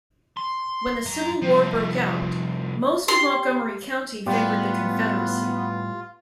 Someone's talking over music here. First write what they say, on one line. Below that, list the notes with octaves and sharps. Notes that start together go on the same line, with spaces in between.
When the Civil War broke out, most of Montgomery County favored the Confederacy.
C6
F#2 A#5
C2 F3
G4 C6
A2 G3 B3 F4 G4